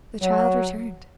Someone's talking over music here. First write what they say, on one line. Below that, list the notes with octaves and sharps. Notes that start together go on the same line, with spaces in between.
The child returned.
F#3